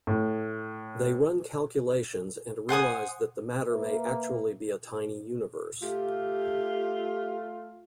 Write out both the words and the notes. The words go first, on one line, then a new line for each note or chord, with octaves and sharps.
They run calculations and realize that the matter may actually be a tiny universe.
A2
C5 F#5 G#5 D#6
A#3 B4 E5
A3 F4 G4